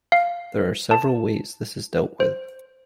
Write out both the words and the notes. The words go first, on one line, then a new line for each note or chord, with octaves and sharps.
There are several ways this is dealt with.
F5
A5
C5